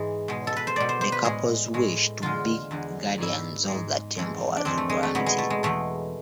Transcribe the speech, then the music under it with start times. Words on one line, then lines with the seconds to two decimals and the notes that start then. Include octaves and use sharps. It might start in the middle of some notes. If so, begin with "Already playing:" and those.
The couple's wish to be guardians of the temple was granted.
Already playing: G#2 E3 G#3
0.28 B2 G#3
0.47 A4
0.57 B4
0.67 C5
0.76 B2 G#3 D5
0.89 C5
1.01 C5
1.12 B4
1.24 A2 G#3 G#4
1.74 A2 G#3
2.22 E2 D3 G#3 F4
2.71 E2 D3 G#3
3.18 G#2 G#3 E4
3.68 G#2 G#3
4.17 F2 E3 G#3
4.57 D4
4.65 F2 E3 G#3 C4
4.78 A3
4.89 G#3
5.03 A3
5.15 E2 B2 G#3 B3
5.26 G#3
5.38 A3
5.50 G#3
5.63 E2 B2 G#3 A3